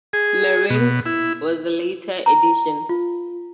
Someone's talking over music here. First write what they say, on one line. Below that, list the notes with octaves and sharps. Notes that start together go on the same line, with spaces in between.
Meringue was a later addition.
G#4
B2
E4
A#5
F4